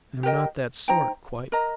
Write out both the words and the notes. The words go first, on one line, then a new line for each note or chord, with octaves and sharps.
"I am not that sort--quite."
G4 A#4 D#5 G5
D#4 C5 G5 A#5
A#4 D#5 A#5